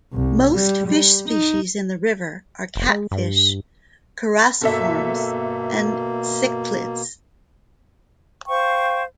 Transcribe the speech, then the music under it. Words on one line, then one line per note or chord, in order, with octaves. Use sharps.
Most fish species in the river are catfish, characiforms and cichlids.
C2
G3
G3
D#4
F1
G#3
G2
G1 B2 A#3 A4 E5
C5 F5 G5 C#6